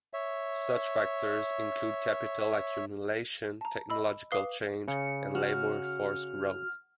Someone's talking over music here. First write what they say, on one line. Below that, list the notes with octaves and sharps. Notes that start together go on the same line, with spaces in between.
Such factors include capital accumulation, technological change and labour force growth.
C#5 E5
A5 A#5
D#5 B5 E6
B4 F5 D6 D#6 C7 G7
C#3 C#7
F#4 F6